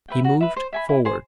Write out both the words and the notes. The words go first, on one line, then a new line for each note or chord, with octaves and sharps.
He moved forward.
B4 E5 G5
F#4
B4 E5
C5
E5 G#5 B5
E4
G#4 C5